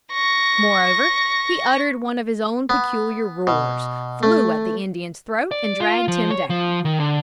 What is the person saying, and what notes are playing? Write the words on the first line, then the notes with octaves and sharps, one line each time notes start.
Moreover, he uttered one of his own peculiar roars, flew at the Indian's throat, and dragged him down.
C#6 A#6
B3
B2
A3
D5
F4
F3
C#5
F3
D#3
D3